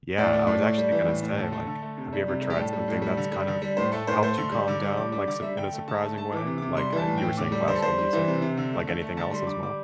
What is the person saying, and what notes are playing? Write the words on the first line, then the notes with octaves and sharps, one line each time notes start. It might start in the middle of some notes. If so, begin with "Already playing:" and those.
Yeah, I was actually gonna say, like, have you ever tried something that's kind of helped you calm down, like, sup in a surprising way? Like, uh, you were saying classical music, like, anything else as well?
A2 D5
A3
A2
A3
G3
E3
A2
A2
D3 A4
A3
D3
A3
C3
G3
C3
G3
G4
A2 A4
G3
A2
G3
D3
G3
D3
G3
A2 C5
A3 A4
A2 C5
A3 C5
D3 C6
G3
D3 D6
G3
D3 D6
G3 D6
D3 D6
G3 E5
D3 G5
A3
D3 A5
A3
A3 A5
E3 D6
C3
C3 D6
G3 C6
E3 A5
A2
A2 G5
D3 D6
G3
D3 C5
A4
G3 C5
G3
E3
C3
C3
D3
A3
D3
A3
D3 A5
G3 C6
D3 D6
G3 D6